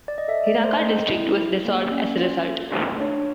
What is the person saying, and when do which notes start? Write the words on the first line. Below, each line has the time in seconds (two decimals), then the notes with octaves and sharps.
Hiraka District was dissolved as a result.
0.08 D5
0.18 D#5
0.28 A4 E5
0.47 D5
0.55 A3
0.65 C5
0.82 C4 D#5
1.09 E4
1.37 G#4
1.65 A#3
1.91 C#4 D5
2.18 F4
2.45 A4
2.73 A3
3.00 D4 C#5